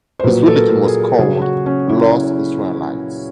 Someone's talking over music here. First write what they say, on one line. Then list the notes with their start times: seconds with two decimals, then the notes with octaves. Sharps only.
His religion was called Lost Israelites.
0.19 C5
0.24 A#2 F#3 B4
0.47 A4
0.56 A#4
0.87 G#4
1.18 C#3 F#3 G#4
1.42 F#4
1.66 C#4
1.89 E4